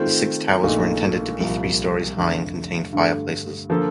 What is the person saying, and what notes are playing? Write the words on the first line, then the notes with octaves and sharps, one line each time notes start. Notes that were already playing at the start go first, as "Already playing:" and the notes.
The six towers were intended to be three storeys high and contained fireplaces.
Already playing: D#3 A3 C4 F4 C5
A#1 A#2 A3 D#4
C2 A#2 F3
F1 F2 D3
G2 D3 A3
D3 F3 A#3 F4 A4